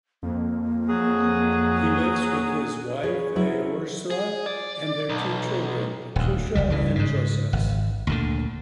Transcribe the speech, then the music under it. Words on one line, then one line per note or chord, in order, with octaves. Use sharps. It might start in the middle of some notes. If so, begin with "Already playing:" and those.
He lives with his wife, Aorsra, and their two children, Patricia and Jostas.
F2 A#3
F#3 G#4
C#4 G#4 B4 C#5
F#3 C#4 E4 G#4 B4
G#4
D5
B1
D#1 D2
F1 C#2 G3
G2 C#3 E3
G#2 C#3
G#1
D2 A#2 D3